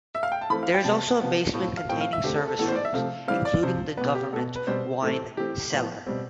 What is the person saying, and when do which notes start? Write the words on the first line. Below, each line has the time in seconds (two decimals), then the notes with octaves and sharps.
There is also a basement containing service rooms, including the government wine cellar.
0.15 E5
0.23 F5
0.32 G5
0.41 A5
0.50 E3 A3 C4 B5
0.63 F5
0.74 G5
0.84 C3 G3 B3 A5
1.20 C3 F3 B3
1.54 A2 F3 C4
1.77 F5
1.89 A2 F3 C4 G5
2.01 F5
2.13 E5
2.24 D3 A3 C4 G4
2.35 A4
2.47 A4
2.59 A2 E3 B3 A4
2.68 C5
2.76 D5
2.85 E5
2.94 C3 F3 A3 C4 F5
3.28 E3 G3 C4 F5
3.45 D5
3.63 C3 F3 C4 C5
3.97 B2 B3 B4
4.15 G4
4.33 B3 A4
4.37 B2
4.56 B4
4.67 B2 G3 C4 C5
5.02 A2 E3 A3 C4 A4
5.37 E3 A3 C4 G4
5.72 A2 F3 B3
6.06 B2 G3 C4